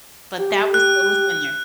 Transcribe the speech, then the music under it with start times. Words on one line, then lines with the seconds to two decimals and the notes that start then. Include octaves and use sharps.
B ut that was what was in there.
0.38 G4
0.74 F#6